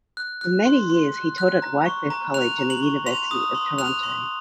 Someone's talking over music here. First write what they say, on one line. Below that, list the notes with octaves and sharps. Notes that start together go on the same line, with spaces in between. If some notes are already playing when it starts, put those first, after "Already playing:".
For many years he taught at Wycliffe College in the University of Toronto.
F#6
F#6
C6
C6
F#6
F#6
A#5
C#6
A#5
F#6 F7
A#5
F#7
C#6
C6 F7
D#6
C6
F#6 F7
C6